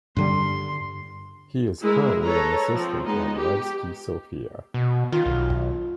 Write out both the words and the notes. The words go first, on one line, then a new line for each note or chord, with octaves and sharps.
He is currently an assistant at Levski Sofia.
G2 D3 G3 C6
G#3 E4 G#4 A#4
A4 B4 C#5 A#5
F3 C4
G#3 B3 D#4 D#5
G4
B2
D#3 F4
B1